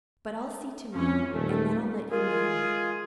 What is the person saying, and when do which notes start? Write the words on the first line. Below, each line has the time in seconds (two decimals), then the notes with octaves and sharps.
But I'll see to-morrow, and then I'll let you know.
0.95 F2 C#4
1.34 D#1 A3
2.11 G#3 F4 G#4 A#4